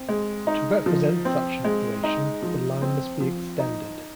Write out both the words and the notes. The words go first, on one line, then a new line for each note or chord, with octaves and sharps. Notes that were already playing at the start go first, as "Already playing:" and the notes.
To represent such an operation, the line must be extended.
Already playing: C4
G#3
D#4
F3
C4
G#3
D#4
F3
C4
F3
D#4